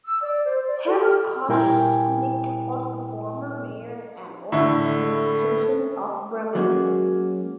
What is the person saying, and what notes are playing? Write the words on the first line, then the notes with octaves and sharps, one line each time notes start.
Hans Koschnick was the former mayor and Honorable citizen of Bremen.
E6
D5
C5
D5
A4
F6
A#2 G3 E4 A#4 G5 G#5
A2 D3 E4
F#3 G#3 A#3 C#4 F#4